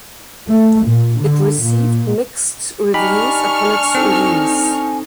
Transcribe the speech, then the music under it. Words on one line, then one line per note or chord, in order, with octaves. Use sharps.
It received mixed reviews upon its release.
A3
A#2
D3
A#2
D4 D#4 G4 G#5 B5 C#6 F6
C4 D#4 A4